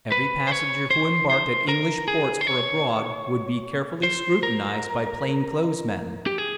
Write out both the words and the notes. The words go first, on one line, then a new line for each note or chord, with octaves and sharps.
Every passenger who embarked at English ports for abroad would be carefully scrutinized by plain-clothes men.
B4
C5
C#5
C5
C5
A#4
G#4
C5
C#5
C5
A#4
G4
G#4